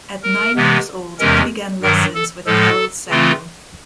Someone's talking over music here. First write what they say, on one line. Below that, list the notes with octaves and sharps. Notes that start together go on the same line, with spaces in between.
At nine years old he began lessons with Harold Samuel.
A#4
C3 E3 G#3 B3
E2 C3 E3 G#3 C#4 A#4
G2 D#3 F#3 A#4
A4
A2 F3 G#3 A4
C#3 E3 A3 C4 F4